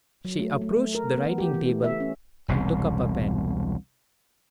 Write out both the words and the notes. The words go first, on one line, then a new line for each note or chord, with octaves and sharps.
She approached the writing table, and took up a pen.
F#3
A3
A3
A3
A#4
B3
E3
G4
E3
A3
E5
C#4
E1 C2 B2